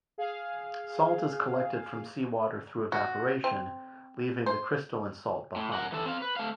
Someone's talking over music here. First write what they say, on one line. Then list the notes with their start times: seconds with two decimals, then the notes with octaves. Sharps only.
Salt is collected from seawater through evaporation, leaving the crystalline salt behind.
0.18 G#4 F5
2.92 F#4
3.44 C4
4.46 C5
5.56 A2
5.73 A#4 F#5
5.92 E3 A4
6.06 C4 F5
6.22 B4
6.37 A3 F5